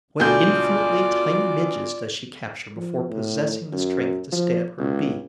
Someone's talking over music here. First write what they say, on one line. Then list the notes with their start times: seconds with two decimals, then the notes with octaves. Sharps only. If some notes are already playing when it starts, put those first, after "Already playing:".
What infinitely tiny Midges does she capture before possessing the strength to stab her Bee?
0.20 D2 B2 F4 D5 G6
2.76 F3
3.09 A2
3.72 F#2
4.32 F3
4.78 C#2